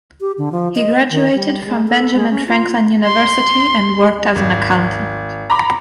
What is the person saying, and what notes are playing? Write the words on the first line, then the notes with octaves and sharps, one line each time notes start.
He graduated from Benjamin Franklin University and worked as an accountant.
G4
D3
F3
D#5
D#3
G3
G#3
A4
G#3
C#4
F4
C6
G#1
A#5 B5 D6